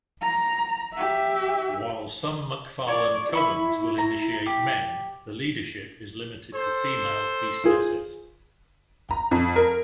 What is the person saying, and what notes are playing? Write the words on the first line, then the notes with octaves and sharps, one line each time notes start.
While some McFarland covens will initiate men, the leadership is limited to female priestesses.
A#5
G4 E5
C#5 D5
E4 E5 B5 C#6
A#5
G4
A4 C5
F4 G#4
A#5
F2
A#4